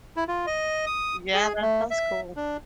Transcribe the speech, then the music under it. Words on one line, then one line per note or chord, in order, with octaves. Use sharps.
Yeah, that sounds cool.
E4
F4
D#5
D#6
G#4
A3
E5
D4